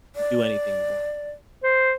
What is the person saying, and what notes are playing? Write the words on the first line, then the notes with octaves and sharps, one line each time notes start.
and do anything you want.
D5
C5